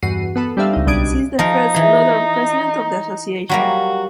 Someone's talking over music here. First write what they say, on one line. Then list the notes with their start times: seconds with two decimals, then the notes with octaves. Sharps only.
She is the first Northern President of the association.
0.02 E2 G2 F#4 C7 D#7
0.36 B3 A4 B4
0.57 G3 C4 D4 G4 E5 F5
0.73 C#2 D#4
0.87 B1 G3 D4 D#6 G#6 D7
1.39 F3 D#4 A#4
1.74 E3 G#4
3.49 F#3 G3 A#3 F#4